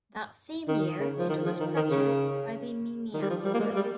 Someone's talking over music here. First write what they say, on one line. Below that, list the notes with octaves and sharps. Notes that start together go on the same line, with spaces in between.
That same year it was purchased by the Eminata Group.
D#3
C#3
F3
D#3
F3
D#3
D#3
C#3
D#3
G3
F3
G3
A#3
G#3
G3